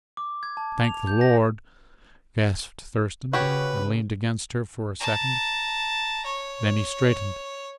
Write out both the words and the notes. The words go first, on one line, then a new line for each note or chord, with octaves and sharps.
"Thank the Lord!" gasped Thurston, and leaned against her for a second. Then he straightened.
D6
G#6
A5
F7
G6
A#6
C#3 F#4 G4 B4 C#5
A5 A#5
C#5